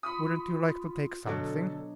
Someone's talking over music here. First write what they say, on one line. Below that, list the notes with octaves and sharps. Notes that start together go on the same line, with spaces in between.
"Wouldn't you like to take something?"
F4 B5 C#6 D#6
B2 D3 F#3 D4 A4